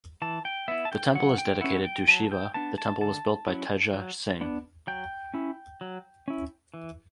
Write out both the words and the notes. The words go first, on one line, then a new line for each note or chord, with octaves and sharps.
The temple is dedicated to Shiva The temple was built by Teja Singh.
E3 A5
G5
B3 E4 E5
A5
G5
F#3 F#5
G5
C#4 E4 F#5
G5
F#3 A5
G5
B3 D4 A5
A5
D3 A5
F#3 C#4 E4
F#3
B3 D4
F#3 G5
C#4 E4
F#3
C#4 E4
E3